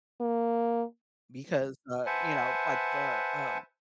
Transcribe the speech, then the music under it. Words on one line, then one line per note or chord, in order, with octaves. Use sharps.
because, uh, you know, like, the, um,
A#3
B4 C5 E5 F#5 G#5 A5